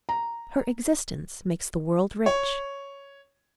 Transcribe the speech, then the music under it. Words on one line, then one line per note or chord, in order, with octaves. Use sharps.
Her existence makes the world rich.
A#5
C#5